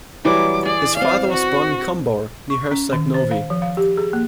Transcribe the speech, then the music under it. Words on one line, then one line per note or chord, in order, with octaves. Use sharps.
His father was born in Kumbor, near Herceg Novi.
E3 F#3 G3 D6
G#4 D5
C4 D5 F5
F#4
C#6
C#4
D#3
C5
F5
F3
F5
G4
G#4
A#3